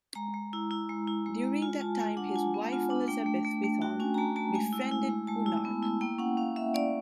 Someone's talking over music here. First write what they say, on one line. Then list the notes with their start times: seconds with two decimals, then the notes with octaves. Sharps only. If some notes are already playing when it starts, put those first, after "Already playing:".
During that time his wife Elizabeth Whitton, befriended Oonark.
0.15 G#3 A#5
0.34 G#3
0.53 E4
0.71 E4
0.89 G#3
1.07 E4
1.26 G#3
1.43 G#3
1.62 F4 G#5
1.81 F4 A5
1.99 G#3 G#5
2.17 D4 F#5
2.36 F4 G#5
2.54 B3
2.72 F4
2.90 D4
3.08 A3 G5
3.26 A3
3.45 A3
3.64 A3
3.82 F#4 G5
4.00 C#4 G#5
4.14 A#5
4.18 A3 A5
4.36 A3 A5
4.54 G#3 G#5
4.73 E4
4.91 E4
5.09 G#3
5.27 G#3 A5
5.46 E4
5.65 B3
5.83 E4
6.01 A#3 G5
6.19 C#4 F#5
6.37 C#4 F5
6.56 C#4 E5
6.74 C#4 D5